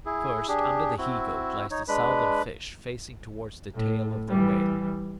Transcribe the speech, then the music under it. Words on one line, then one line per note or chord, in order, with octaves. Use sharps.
First, under the He-Goat lies the Southern Fish, facing towards the tail of the Whale.
E4 G#4
D4 G4 G#4
C4 E4 F#4
D#4 C#5
G#3 D4 B4 B5
A2
E3 G3